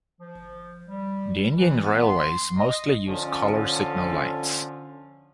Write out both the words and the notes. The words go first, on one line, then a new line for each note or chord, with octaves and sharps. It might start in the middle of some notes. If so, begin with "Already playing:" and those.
The Indian Railways mostly use colour signal lights.
F3
G3
E3
B3
C6
D#5
D3 F3 C#4